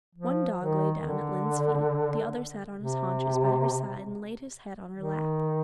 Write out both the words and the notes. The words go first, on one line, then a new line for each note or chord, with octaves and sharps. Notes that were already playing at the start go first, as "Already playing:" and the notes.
One dog lay down at Lynde's feet, the other sat on his haunches by her side and laid his head on her lap.
F3
D#3
D3
C3
D#3